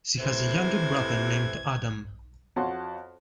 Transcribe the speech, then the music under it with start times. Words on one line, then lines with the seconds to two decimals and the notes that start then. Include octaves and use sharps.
She has a younger brother named Adam.
0.20 A2 C3 E3 C5 G#6
2.56 F2 F#4 C#5 F#5 A5 C6